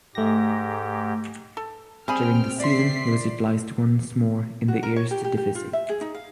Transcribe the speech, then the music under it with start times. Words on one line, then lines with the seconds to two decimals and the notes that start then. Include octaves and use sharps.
During the season he was utilised once more in the Eerste Divisie.
0.15 G#2 A3 G4 A#6
1.57 A4
2.08 G3 C4 G#4 G5 B5 F6
2.60 D5 E5 C6 B6 C7
4.68 F#4
4.83 A#4
4.96 C#5
5.11 G4
5.24 G4
5.37 G4
5.55 F4
5.73 E5
5.89 G#4
6.01 D#4
6.15 F5